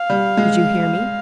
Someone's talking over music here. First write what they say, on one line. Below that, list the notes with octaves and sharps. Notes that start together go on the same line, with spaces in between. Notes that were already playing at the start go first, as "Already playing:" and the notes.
"Did you hear me?"
Already playing: F5
G3
G#3